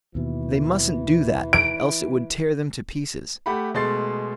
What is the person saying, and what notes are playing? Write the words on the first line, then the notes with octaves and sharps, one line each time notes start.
They mustn't do that, else it would tear them to pieces.
D#2 B2 E3
D7
A3 G4 F#5 B5
B2 G#3 A3 C6 A6 C7